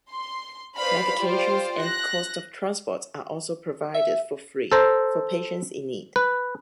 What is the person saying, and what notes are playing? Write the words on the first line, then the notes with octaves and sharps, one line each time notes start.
Medications and cost of transport are also provided for free for patients in need.
C6
B4 C5 D5 F5 B5
F4 G4 C5 D5
F#6 A#6
E5
A4 C5 A#5
B4